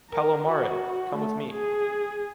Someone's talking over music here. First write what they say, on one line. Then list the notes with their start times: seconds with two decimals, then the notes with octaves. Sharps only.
Palomares, come with me.
0.11 A#4
0.50 F#4
1.16 A3
1.51 G#4